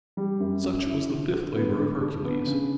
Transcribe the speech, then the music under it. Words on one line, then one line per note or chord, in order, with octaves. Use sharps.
Such was the fifth labor of Hercules.
G3
F#2
F#2
E4
D3
D3
B3
D3
D4
B3
C#3